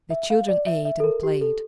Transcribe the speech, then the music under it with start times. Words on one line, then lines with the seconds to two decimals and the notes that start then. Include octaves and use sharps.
The children ate and played.
0.10 E5
0.30 F5
0.48 D5
0.67 E5
0.85 E5
1.00 A4
1.04 A#4
1.23 G4
1.41 A4